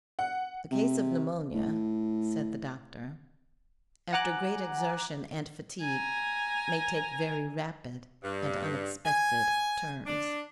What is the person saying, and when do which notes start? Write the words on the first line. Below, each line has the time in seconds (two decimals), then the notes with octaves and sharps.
"A case of pneumonia," said the doctor, "after great exertion and fatigue, may take very rapid and unexpected turns."
0.19 F#5
0.71 C3
1.55 A2
4.13 F#5 G#5 A#5 D6 F#6
5.82 G#5 A#5
8.23 G2
9.06 G#5
10.06 D4